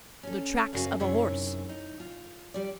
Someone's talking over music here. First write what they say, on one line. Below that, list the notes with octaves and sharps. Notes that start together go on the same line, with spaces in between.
"The tracks of a horse."
C#4 A4
F#2 C#3 C#4 F#4 F5 G#5
F#2 C3 D#4 E4 G#4 C#5
D#4
F4
G3 D5